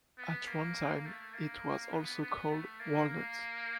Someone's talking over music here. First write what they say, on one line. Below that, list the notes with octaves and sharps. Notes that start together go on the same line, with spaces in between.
At one time it was also called Walnut.
B3
A#3
A3
A#3
B3
B3
A3
A#3
A#3